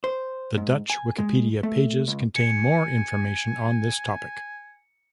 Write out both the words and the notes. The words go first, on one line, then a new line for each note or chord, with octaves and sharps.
The Dutch Wikipedia pages contain more information on this topic.
C5
G#2
G#5
G#3
A3
C#2
G#5 C#7